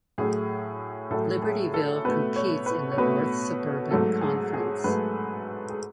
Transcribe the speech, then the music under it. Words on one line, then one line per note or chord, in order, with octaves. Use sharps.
Libertyville competes in the North Suburban Conference.
A2 F#3 A3 G#4
A2 F#3 A3 A4
G#4
A4
B2 A3 B4
C#5
B4
C#5
B2 A3 B4
G#2 F#3 A3 A4
G#4
G#4
G#2 F#3 A3 B4
G#4